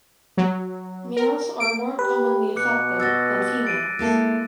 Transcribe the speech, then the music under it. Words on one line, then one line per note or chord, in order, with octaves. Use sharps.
Males are more commonly affected than females.
F#3
A#4
D7
G4 B4
B2 D6 F#6 C#7
F#4 C5 E6 A6 A#6
A6 D7 D#7
G#3 A#3 E4 A4